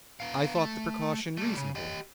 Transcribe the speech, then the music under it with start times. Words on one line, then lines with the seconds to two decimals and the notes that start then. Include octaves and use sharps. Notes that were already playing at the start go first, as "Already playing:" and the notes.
I thought the precaution reasonable.
0.20 B3 F5
0.55 A3
1.37 G3 A3
1.57 C#3
1.75 G4 D#5